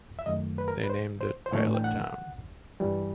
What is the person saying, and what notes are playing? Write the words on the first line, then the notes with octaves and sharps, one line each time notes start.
They named it Pilottown.
E5
F#2 D#3 F#3 A3 D#5
B4
A#4
B4
C5
C5
C5
A2 E3 A3 D4 C#5
G5
F#5
G2 E3 G3